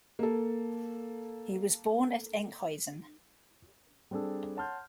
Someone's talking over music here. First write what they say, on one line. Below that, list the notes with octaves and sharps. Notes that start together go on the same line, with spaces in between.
He was born at Enkhuizen.
A#3 A4
G3 C4 D4 G#4 A4
C#5 F#5 A5 C6 F6 G6